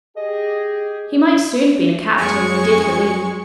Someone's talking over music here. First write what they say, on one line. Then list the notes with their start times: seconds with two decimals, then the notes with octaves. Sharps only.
He might soon have been a captain, they did believe!
0.17 G4 G#4 D#5
2.16 F#2 G#3 G#5 C#6